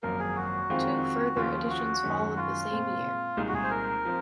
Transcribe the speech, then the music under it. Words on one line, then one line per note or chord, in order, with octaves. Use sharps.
Two further editions followed the same year.
G#1 F#2 F3 A#3 F4 A#4
G#4
F#4
F2 D#3 G#3 C4 F4
D#2 C#3 F3 F4
F#4
F#2 D#3 G#3 C#4
F4
A#2 G#3 C4
C2 A#2 G#3 D#4
F#4
G#4
C5
A#4
F3 C4